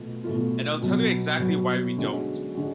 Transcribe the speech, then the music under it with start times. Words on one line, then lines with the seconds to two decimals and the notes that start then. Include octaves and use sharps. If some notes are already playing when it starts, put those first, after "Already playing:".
And I'll tell you exactly why we don't.
Already playing: B2 A3 F4
0.24 B2 A3 F4
0.81 B2 F#3 B3 F#4
1.39 B2 F#3 B3 F#4
1.97 D3 G#3 C#4 F#4
2.55 D3 G#3 C#4 F#4